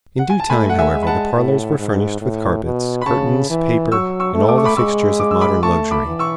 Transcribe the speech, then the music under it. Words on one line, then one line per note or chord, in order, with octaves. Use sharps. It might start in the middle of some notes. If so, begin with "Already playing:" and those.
In due time, however, the parlors were furnished with carpets, curtains, paper, and all the fixtures of modern luxury.
F#5
G#5
A5
A3 G#5 B5
F#5
E5 G#5
G#3
B5
F#5 A5
A2
G#2
A2
B2
B5
C#3 A5 C#6
E3
F#3 C#6 E6
C#6 E6
A3
D6
C#6
B5 D6
G#3 C#6 E6
D6
E6
B5 D6
A3 A5 C#6
B5 D6
E3
C#6 E6